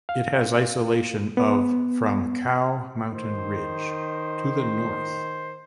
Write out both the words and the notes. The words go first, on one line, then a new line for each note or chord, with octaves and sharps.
It has isolation of from Cow Mountain Ridge to the north.
F5
B3
D#3 C5